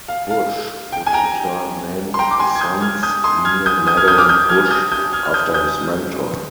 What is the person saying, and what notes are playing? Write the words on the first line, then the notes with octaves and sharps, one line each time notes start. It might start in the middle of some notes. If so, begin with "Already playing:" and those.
Bush would in turn name of his sons, Neil Mallon Bush, after his mentor.
F5
F5
G5
G#5
G5 A#5
C6
G5 A#5
D6
G#5 C6
G#6
D#6 G6
F6 G#6
D#6 G6
C6 D#6
F6 G#6
D#6 G6
D#6 G6
F6 G#6
D#6 G6
D6 F6
D#6 G6
F6 G#6
F6
D#6 G6
D#6 G6
F6 G#6
F6
D#6 G6
D#6 G6